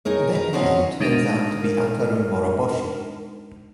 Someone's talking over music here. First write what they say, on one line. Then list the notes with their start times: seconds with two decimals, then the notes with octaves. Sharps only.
That man turns out to be Ataru Moroboshi.
0.05 D#4 G#4 A#4 C#5
0.33 A#4 B4
0.53 F#3 C4 C#4 D#4
1.00 G#3 D4 D#4 A#4